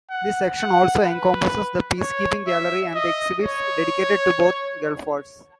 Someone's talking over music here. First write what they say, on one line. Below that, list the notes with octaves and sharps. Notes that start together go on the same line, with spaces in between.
This section also encompasses the Peacekeeping Gallery and exhibits dedicated to both Gulf Wars.
F#5
F#5
B4
C#5
E5
D#5
C#5